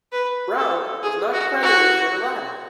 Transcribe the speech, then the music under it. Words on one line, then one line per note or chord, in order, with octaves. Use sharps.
Brown is not credited for the latter.
B4
A4
G#4
F#4
F#4